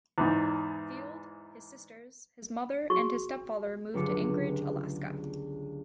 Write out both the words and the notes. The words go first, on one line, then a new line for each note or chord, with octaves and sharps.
Field, his sisters, his mother and his stepfather moved to Anchorage, Alaska.
E2 G#2
F#4 G#4 C#6
G1 C#2 F#3 F4 D6 C#7